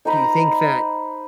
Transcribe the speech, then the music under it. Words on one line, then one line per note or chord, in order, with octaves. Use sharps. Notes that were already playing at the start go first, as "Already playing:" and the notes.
do you think that
D#4 C5 A#5 B5